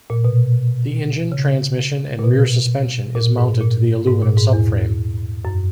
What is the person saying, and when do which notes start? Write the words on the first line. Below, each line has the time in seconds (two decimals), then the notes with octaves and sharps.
The engine, transmission, and rear suspension is mounted to the aluminum subframe.
0.10 A#2
0.25 B2
1.32 C#3
2.19 A#2
2.24 B2
3.15 A#2
3.38 G#2
3.61 A#2
4.07 G#2
4.22 A#2
4.37 G#2
4.53 E2
5.45 F#2